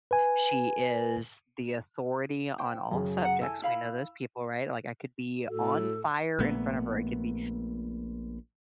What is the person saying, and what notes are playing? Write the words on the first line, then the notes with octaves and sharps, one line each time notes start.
She is the authority on all subjects. We know those people, right? Like I could be on fire in front of her. I could be
B4 G#5
C5 G5
F#2 C#3
F#5 A#5
E4 A4 G#5 E6
E4 F5 B5
A2 F#4 A4
A#1 A#2 A3 B3